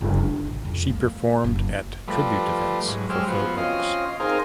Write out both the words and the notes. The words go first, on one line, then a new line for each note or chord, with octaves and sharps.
She performed at tribute events for Phil Ochs.
F#1
D4
A1
F2
A#3
F#1
F3 G3 A3 B4
G#2 F#3
F#3 G#3 G4 C5 E6 F6
F3 B3 F#4 C5
C4 C#4 F4 D#5 F5 C6
C4 D#4 G#4 A#4 C5 F5